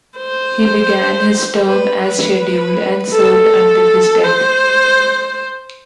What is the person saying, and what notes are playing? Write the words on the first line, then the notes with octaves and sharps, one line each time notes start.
He began his term as scheduled, and served until his death.
C5
B4
B4
A4
C5